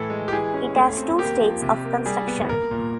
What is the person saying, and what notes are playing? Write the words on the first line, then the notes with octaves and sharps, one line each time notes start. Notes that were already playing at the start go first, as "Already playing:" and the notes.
It has two states of construction.
Already playing: A2 E3 A4
G#3
G4
E3 G#4
C#4
A3
C4
A#3 G4
F3
C3
A#3
G3 G#4
B3
A#3 A#4
A#2